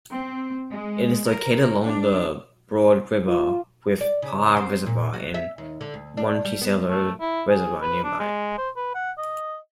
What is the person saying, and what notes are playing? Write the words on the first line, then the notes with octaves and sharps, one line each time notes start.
It is located along the Broad River, with Parr Reservoir and Monticello Reservoir nearby.
C4
G#3
A#4
D4
F4
D5
C#3
C4
A#2
F#4
E5
D#2
D3
D2
D4
G3
B3
A3
E4
G#4
B4
D4
G#3
C5
B4
F#5
D#5